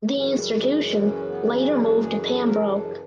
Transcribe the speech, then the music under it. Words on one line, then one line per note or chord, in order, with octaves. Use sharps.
The institution later moved to Pembroke.
F#2 C#3 E3 F#3
G3
G#3
G#3
C#4
B3
C4
C#4
D4
G#4
A4
A#4
A4
G4